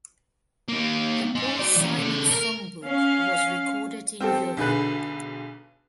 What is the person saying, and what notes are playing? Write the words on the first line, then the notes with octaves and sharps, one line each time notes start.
"The Paul Simon Songbook" was recorded in Europe.
A#3 D#4
D#4 C5
F#4 D5
E3 C#4
C#3 A4
A#4
C#4 F5
C4 G4 A4
B1 D3 G#4 B4 F#6